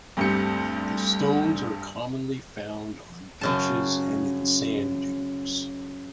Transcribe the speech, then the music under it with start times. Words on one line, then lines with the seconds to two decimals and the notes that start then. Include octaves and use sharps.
The stones are commonly found on beaches and in sand dunes.
0.17 D2 G2 A3 C4 G4 C#7
3.41 F#2 C#3 A5